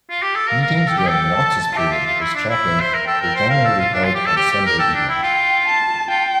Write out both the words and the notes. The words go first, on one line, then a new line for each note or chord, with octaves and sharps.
Meetings during Knox's period as chaplain were generally held on Sunday evenings.
F4
G4
A4
A#4 F5
A#4
A#4
A4 G5
G4
A4
A5
F4
G4 E5
F4
F4
E4
D4
E4
E5
C5
A#4
A4 G5
A#4
C5
A#4 F5
A4
F4
D4
F4
G4
A4
G4
G4
A#4
A4 G5
D4
E4
F4 G5
A5
F4 G5